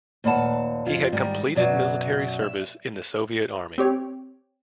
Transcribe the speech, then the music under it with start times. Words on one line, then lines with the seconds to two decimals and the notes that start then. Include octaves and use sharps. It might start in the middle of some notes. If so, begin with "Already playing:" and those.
He had completed military service in the Soviet Army.
0.24 D#2 A#2 B4 F#5 A5
0.86 F2 F4
1.12 G#2 D#3 G3
1.55 F#2 B2 F#3 D5
2.42 E5
3.78 C4 G4 C#5 G5